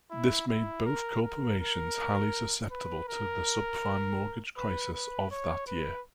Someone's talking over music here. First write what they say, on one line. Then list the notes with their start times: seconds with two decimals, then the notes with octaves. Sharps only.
This made both corporations highly susceptible to the subprime mortgage crisis of that year.
0.11 E4
0.48 E4
0.86 A#4
1.23 A#4
1.60 A#4
2.71 B4
3.08 A#4
4.57 B4
4.94 B4
5.31 C#5
5.67 B4